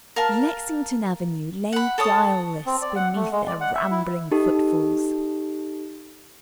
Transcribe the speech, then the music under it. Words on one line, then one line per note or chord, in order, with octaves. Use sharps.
Lexington Avenue lay guileless beneath their rambling footfalls.
A#4 F5 A5
F#5 B5
A4 C#5 A5 D#6
C4
D5
F#5
A3
G#3
D5
F#5
E5
E4
D#4 G4 A4